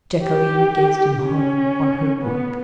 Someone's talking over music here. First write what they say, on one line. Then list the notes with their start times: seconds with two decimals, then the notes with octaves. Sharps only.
Jacquelina gazed in horror on her work.
0.24 G4
1.24 C#4
2.22 B3